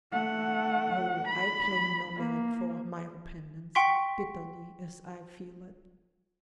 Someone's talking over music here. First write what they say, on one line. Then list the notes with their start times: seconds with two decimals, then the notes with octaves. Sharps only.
Oh, I claim no merit for my repentance, bitterly as I feel it!
0.12 A3 F#5
1.28 B5
2.16 A#3
3.75 F#5 G5 C6 C#6 B6